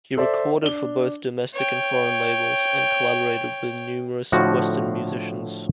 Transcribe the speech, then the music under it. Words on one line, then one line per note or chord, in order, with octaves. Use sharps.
He recorded for both domestic and foreign labels, and collaborated with numerous western musicians.
A4 C5 D5 E5
D4 G7
C#5 G5
A2 D3 F3 F#4